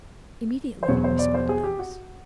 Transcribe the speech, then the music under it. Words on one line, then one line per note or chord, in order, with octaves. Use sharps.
"Immediately," responded the host.
C5
E2 B2 F#3 C#5
C5
D5
C5
G#4
G4
F#4